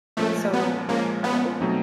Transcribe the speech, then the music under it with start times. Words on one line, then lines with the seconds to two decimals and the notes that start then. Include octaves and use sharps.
so, uh oh,
0.17 A#2 F3 G#3 A3 C#4
0.53 B3
0.88 A#2 F3 G#3 A#3 C#4
1.24 B3
1.60 B2 F#3 A3 C4 D#4